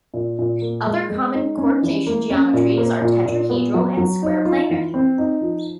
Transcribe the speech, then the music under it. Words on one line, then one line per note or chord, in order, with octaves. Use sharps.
Other common coordination geometries are tetrahedral and square planar.
A#2
A#2
A#3
G#3
G#3
D#4
C#4
E3
A#3
C#4
A#2
A#3
A#2
A#2
B3
F#3
F#3
D#4
F4
E3
C4
D#4
F3